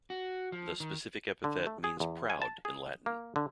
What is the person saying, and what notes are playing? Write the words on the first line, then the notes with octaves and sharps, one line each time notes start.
The specific epithet means "proud" in Latin.
F#4
F3
D#3
D3
A3
G#4
E2
G#5
A5
G#4
A#3
D3